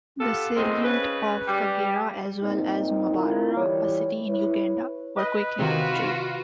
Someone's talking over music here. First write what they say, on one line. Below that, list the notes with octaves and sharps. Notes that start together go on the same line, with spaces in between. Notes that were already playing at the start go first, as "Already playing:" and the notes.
The salient of Kagera as well as Mbarara, a city in Uganda, were quickly captured.
B3 F4 G4 A4
E2 D#3 G#3 C4
C#3 B4
G3
G2 A#2 C4 D#4
D3 C4 E4 F4 A#4
E3 G3 E4 C#5
E4 B4 C#5
B4 D#5
C3 D#3 F4 F#4